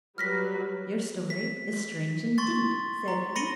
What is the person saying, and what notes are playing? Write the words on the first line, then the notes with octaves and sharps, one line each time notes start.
'Your story is strange indeed,' said he.
F#3 G3 B4 F6 A#6 B6
B6
C6 C#6 A6
A#5
B5 A#6 C#7 D#7 G7